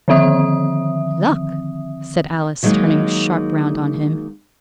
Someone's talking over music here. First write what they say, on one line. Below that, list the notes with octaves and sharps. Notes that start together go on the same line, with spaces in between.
'Luck!' said Alice, turning sharp round on him.
D3 D#3 F3 C4 E5 D#6
D#3 F#3 G#3 A#3 D#4